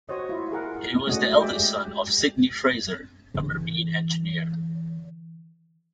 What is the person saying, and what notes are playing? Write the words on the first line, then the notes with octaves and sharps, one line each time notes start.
He was the elder son of Sydney Fraser, a marine engineer.
F#4 C5 C#5 D#5
E4 F4
G#4 A#4 F#5
G#3 A3 C#4 D4 F#4 D#5
G#3 G4 G#4 D5 E5 G5
D3 E3